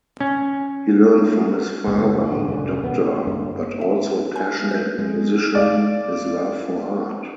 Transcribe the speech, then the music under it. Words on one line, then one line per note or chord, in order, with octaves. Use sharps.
He learnt from his father, doctor but also passionate musician, his love for art.
C#4
F#1 D2 B3
A2 D3
F1 D3 G3 C#4
D#1 B3
C#4
G1 G2 A#3
E5
G#5
B4 G6
G#3
D5 F5